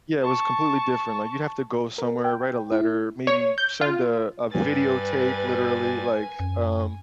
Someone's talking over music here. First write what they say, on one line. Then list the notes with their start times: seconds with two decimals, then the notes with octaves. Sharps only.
Yeah, it was completely different, like, you'd have to go somewhere, write a letter, maybe send a a video tape literally like, um
0.22 A5 C#6
1.98 A#4
2.24 G5
2.72 E4
3.27 C#5
3.58 G6
3.81 F4
4.51 G2 B4 G#5 A6
6.40 F#2